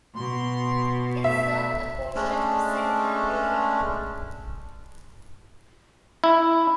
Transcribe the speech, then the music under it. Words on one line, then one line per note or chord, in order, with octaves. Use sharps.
It served a portion of central New York.
B2 C6
A3 E5
G#3 A3 C#4 D4
E4